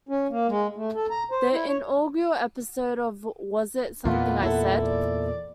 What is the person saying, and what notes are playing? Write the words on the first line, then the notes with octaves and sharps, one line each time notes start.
The inaugural episode of Was It Something I Said?
C#4
A#3
G#3
A3
A4
A#5
C5
E4
C#5
E2 A#2 B3 F4
E4 A4
D5